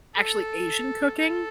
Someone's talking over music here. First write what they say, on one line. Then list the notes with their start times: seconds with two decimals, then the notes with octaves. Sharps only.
actually Asian cooking?
0.15 A4
1.17 A4